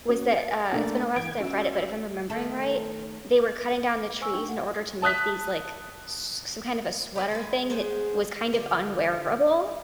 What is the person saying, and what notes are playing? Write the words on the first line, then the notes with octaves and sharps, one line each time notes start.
was that, uh, it's been a while since I've read it, but if I'm remembering right, they were cutting down the trees in order to make these, like, s some kind of a sweater thing that was kind of unwearable.
A#3 C#4 F#4
A5
A3 A#3 D4
E3 G5 G#6 D7
C#4 F#4 E5
D#3 A3 A4
D6
B4
C5 G#5 C#6 E6
D4 D#4 G5 C#6
F#5
A5 D#6 F#6 B6
G4 B4 F#5
G#3 B4
G#3 B3 G#4 C5
D3 F4 G4